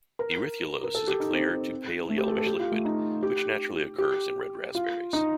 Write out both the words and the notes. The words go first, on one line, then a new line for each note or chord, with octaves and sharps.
Erythrulose is a clear to pale-yellowish liquid, which naturally occurs in red raspberries.
A#4
A#4
A4
G4
D#4
C4
A3
G4
A4
A4
G4
F4
A3
D#4
G4
G4
F4
D#4